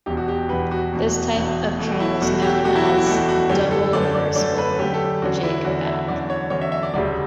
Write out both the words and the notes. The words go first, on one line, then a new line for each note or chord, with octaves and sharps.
This type of tram is known as a double-reversible or "jig-back".
E1 E2 B2 G4
F#4
G4
E1 E2 B2 B4
F#4
E1 E2 B2
E1 E2 B2
E2 B2 A3
E4
E2 B2 A3 F#4
G4
E2 B2 A3 F#4
E4
F#4
E4
E2 B2 A3 F#4
F#4
F#2 D3 A3 C#4 G4
A4
F#2 D3 A3 C#4 D5
D5
F#2 D3 A3 C#4 D5
B4
F#2 D3 A3 C#4 G4
A4
E2 D3 F#3 C#4 F#4
E4
E2 D3 F#3 C#4 F#4
E5
E2 D3 F#3 C#4 D5
C#5
E2 D3 F#3 C#4 C#5
E5
E5
D5
E1 D2 C#3 G3 D5